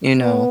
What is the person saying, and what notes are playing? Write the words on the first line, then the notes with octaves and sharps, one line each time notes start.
you know,
B3